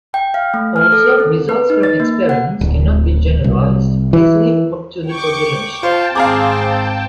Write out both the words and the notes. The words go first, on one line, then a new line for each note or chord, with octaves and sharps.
Also, results from experiments cannot be generalized easily to the population.
G5
F5
A3
F6
A4
C4
B4
D#4
A6
A#3
F#5
D1
C2
E3
G5 C#6 D6
F4 C5 G5 A5
G#1 C4 G#4 C5 F5 A#5 D6